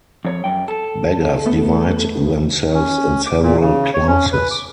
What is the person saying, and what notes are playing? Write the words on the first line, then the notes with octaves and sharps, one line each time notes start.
Beggars divide themselves in several classes.
F2 C#5
F#2 G5
A4
A3 B3
C#4
D6
A#2
C#3
C#5
C#4
B4
D6